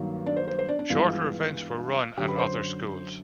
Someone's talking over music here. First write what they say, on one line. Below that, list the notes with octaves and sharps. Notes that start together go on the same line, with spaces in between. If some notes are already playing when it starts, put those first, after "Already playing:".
Shorter events were run at other schools.
Already playing: G2 D#3 F#3 A#3
D4 D5
C5
C5
C5
D4 D5
D4 D5
G2 E3 G#3 B3 F4 F5
F#2 D3 F#3 G4 G5
B4 B5
C5 C6